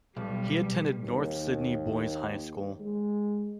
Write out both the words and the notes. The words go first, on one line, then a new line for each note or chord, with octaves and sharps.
He attended North Sydney Boys High School.
B1 G3
D#2
G#3